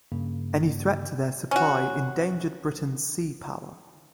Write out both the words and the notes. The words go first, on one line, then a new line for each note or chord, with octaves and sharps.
Any threat to their supply endangered Britain's sea power.
G2 C#3 A#3
C#4 F#4